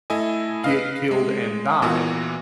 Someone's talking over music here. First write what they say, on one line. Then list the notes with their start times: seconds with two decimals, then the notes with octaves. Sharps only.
get killed and die,
0.10 A3 E4 A4 D#5 G#5
0.64 B4 D#5 F5
1.11 G#3
1.82 A#2 E3 A#3 B3 F#4